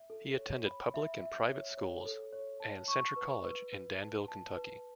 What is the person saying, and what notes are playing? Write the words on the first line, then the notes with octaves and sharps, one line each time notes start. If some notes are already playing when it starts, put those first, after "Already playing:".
He attended public and private schools and Centre College in Danville, Kentucky.
Already playing: E5
A4
C#5
B5
E5
E5
C#5
C#5
A4
C#5
A5
C#6
B4
B4
B4
A5
A5
B4